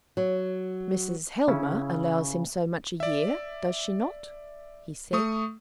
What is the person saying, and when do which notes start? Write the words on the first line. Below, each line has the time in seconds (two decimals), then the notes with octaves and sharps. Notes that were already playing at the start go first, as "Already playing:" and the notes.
"Mrs. Helmer allows him so much a year--does she not?" he said.
0.17 F#3
1.48 C#3 C#4 E4
3.00 D5 E5
5.13 A3 C#6 D#6